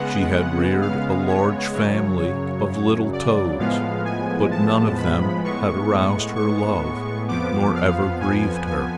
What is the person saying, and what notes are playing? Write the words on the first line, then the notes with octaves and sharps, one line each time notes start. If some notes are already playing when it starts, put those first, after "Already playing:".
She had reared a large family of little toads, but none of them had aroused her love, nor ever grieved her.
Already playing: C#3 G#3 B3 F#5
F5
C#5
F#2 C#3 F#3 C#5
D5
A2 F3 G#3 B3 F5
G#5
A5
B5
A2 G#3 B3 C#6
C#6
F2 F3 B3 D6
F5
G#5
G#5